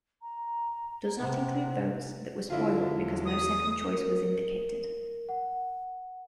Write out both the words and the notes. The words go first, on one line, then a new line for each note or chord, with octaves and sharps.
Does not include votes that were spoiled because no second choice was indicated.
A#5
C3 F#5
D3 E4 F4
E2 G#3
D#6
A#4
F#5